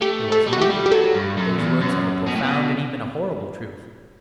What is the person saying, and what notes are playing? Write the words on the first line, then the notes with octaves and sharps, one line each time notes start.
There was indeed. Those words have a profound and even a horrible truth.
A3 G4
A4
G3
F#4
A3 G4
G3
G4
F#3 A4
G2
F#2
E2
F#2
B2
A2
B2